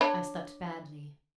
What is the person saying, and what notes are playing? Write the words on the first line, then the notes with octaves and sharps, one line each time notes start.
I slept badly.
D4 C#5 B5